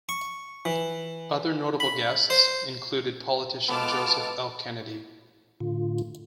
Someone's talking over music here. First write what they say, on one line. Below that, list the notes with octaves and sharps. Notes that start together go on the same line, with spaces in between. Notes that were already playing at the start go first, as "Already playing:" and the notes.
Other notable guests included politician Joseph L. Kennedy.
C#6
E3
B5
C5
G#3 B3 F4 A4 A5 D6 F6
A2 D3 F4